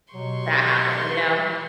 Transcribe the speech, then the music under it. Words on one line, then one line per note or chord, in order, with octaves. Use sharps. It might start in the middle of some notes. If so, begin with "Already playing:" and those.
that happen, you know?
B2 F#3 G4 C6 C#6